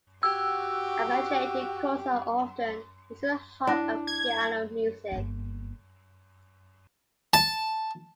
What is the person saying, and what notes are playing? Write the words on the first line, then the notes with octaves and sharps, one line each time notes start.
Arpeggiated chords are often used in harp and piano music.
F#4 G4 E6
D4 E4 A#6
G#6
G1 A#3
A5